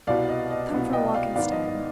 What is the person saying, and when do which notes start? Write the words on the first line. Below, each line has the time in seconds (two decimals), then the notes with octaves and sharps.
'Come for a walk instead.
0.07 C2 B2 B3 D5 F5
0.29 D#5
0.51 D#5
0.72 C2 B2 B3
0.93 D#5 G5
1.14 D5 F5
1.36 G#2 D#3 B3 D5 F5
1.52 D#5
1.68 D#5